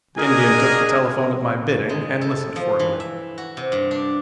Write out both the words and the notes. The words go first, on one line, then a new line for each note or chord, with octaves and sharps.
The Indian took the telephone at my bidding and listened for a minute.
D4 F#4 G#4 A#4 D#5 G#5
G#3
A4
F3
E3
E5
F#4
C3
G2
D4